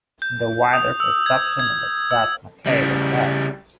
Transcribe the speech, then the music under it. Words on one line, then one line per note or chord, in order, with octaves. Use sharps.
The wider perception was that Mackay was dead.
G6
D#6
E6
G#6
G#6
E6
C#3 G3